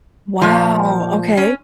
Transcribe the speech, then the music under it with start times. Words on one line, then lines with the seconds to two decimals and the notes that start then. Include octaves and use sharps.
Wow, okay.
0.42 A#2 F3
1.37 C#4